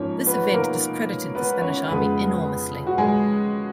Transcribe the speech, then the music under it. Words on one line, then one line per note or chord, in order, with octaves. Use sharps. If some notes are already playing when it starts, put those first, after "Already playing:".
This event discredited the Spanish army enormously.
Already playing: G#2 F3 A#3 C#4 C#5
B3 B4
A#3 A#4
B3 B4
C#4 C#5
F2 C#3 G#3 B3 B4
F#4
G#3 G#4